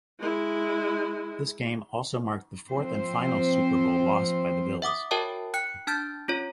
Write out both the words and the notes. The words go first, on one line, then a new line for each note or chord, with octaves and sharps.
This game also marked the fourth and final Super Bowl loss by the Bills.
G#3 E4
F3 C4 C5
E5 F#5 D6 D#6
F#4 A#4 C#5 E5 G5 A5
G5 F#6 C#7
D4 A5 F6 G6 A6
C#4 F4 C#5